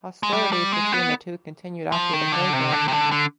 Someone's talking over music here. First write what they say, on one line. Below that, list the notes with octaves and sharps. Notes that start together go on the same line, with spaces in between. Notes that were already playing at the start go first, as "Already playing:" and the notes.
Hostilities between the two continued after the program.
G#3
G3
G3
G#3
B3
F3
D#3
D3
C3
D3
C3
D3
D3